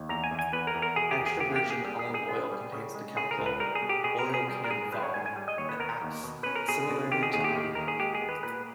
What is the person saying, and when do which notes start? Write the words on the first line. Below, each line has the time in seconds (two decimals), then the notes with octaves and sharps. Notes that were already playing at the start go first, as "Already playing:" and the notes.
Extra-virgin olive oil contains the chemical oleocanthal that acts similarly to ibuprofen.
Already playing: D#2
0.09 E2 A#5
0.24 G#5
0.31 E2
0.39 G#5
0.53 E2 B4
0.67 A#4
0.75 E2
0.82 A#4
0.96 B2 G#4
1.11 G4
1.19 E2
1.26 G#4
1.40 A#3 G4
1.56 G4
1.63 A#3
1.70 G#4
1.85 G3
1.99 G#4
2.06 G#2
2.14 G#4
2.28 B3
2.51 G3
2.72 C#3
2.94 G#3
3.16 C#3 G#4
3.31 A#4
3.39 C#2
3.46 B4
3.60 G3 A#4
3.75 G#4
3.82 B2
3.89 G4
4.04 B2 G#4
4.19 A#4
4.26 C#4
4.34 G#4
4.48 G3
4.64 A#4
4.70 G#2 G#4
4.92 G3 B4
5.03 C#5
5.14 G#2 G#5
5.26 G#5
5.36 G3
5.48 D#5
5.58 D#2 C#5
5.69 B4
5.80 B3 A#4
6.02 D#2
6.24 B2
6.43 C#4 B4
6.56 A#4
6.68 B2 G#4
6.90 B2
7.12 D#3 G4
7.23 G#4
7.34 D#2 G#4
7.44 G4
7.56 D#3
7.75 D#2 A#4
7.88 G#4
8.00 G#3 G4
8.15 G#4
8.21 B3
8.29 B4
8.43 A#2 B4